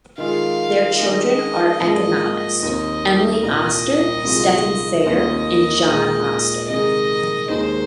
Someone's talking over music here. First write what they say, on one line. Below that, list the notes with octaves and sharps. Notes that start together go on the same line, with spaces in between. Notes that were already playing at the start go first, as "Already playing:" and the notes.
Their children are economist Emily Oster, Stephen Fair, and John Oster.
D#3 G#3 F4 G#4 F5
D#3 G#3 D#4 D#5
G#2 F3 A#3 G#4
D#2 D#3 C4 D#5
C2 A#2 F3 D#5
C2 C3 D#3 G#3 F4
D#2 D#3 C4 F4 D#5
A#2 G#3 D#4 G#4
C3 D#3 G#3 D#4 G#4 D#5
D#2 D#3 G#3 D#4 C5